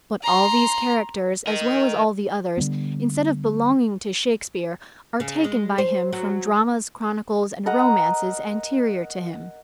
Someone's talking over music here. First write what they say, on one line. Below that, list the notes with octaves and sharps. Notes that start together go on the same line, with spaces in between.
But all these characters, as well as all the others, instead of belonging to Shakespeare, are taken by him from dramas, chronicles, and romances anterior to him.
A#5 C6
A#4 D#5
D3 D#3 G3 B3
C#3
G#3
C5
F#3
A#4 D#5 F#5 A#5